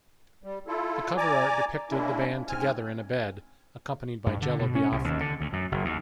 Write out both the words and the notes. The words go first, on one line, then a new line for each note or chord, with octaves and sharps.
The cover art depicted the band together in a bed, accompanied by Jello Biafra.
G3
E4 F4 A4
D5 G#5 A#5 D6
G#3 A#3 C#4 D4 E4
G#2 C4 G#5 F6
G2
D3
B2
C#4
C2
D#2
D3
D2
F#2
F#1
D#2